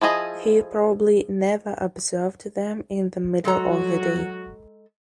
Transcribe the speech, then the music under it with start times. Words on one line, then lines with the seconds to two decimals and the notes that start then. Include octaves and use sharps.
He Probably never observed them in the middle of the day.
0.01 F3 E4 G#4 D#5
3.45 F#3 G#3 F#4 A4 A#5